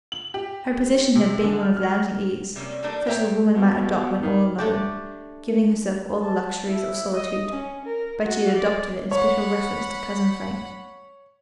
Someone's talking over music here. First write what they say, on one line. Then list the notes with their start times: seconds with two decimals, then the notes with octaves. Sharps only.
Her position had been one of lounging ease, such as a woman might adopt when all alone, giving herself all the luxuries of solitude;--but she had adopted it in special reference to cousin Frank.
0.12 F#7
0.34 G4
1.15 C3
1.44 D3
1.63 F6
1.77 F6
2.56 C3 G3 A#3 C#4
2.83 G3 A3 A#3 D4
3.07 A#2 C#5 E5 G5 A#5
3.55 B2
4.22 D#3
4.58 A3 D4 G4
6.21 A5
6.68 E4
7.14 D#5
7.53 C#4
7.85 A#4
8.26 F#4
8.56 D5
9.11 C#5 F#5 B5